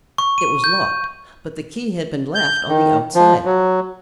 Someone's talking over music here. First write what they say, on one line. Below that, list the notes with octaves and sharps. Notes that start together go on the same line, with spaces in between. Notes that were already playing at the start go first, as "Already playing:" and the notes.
It was locked, but the key had been left on the outside.
C#6
D#7
G6
G6
D#3
F3
F#3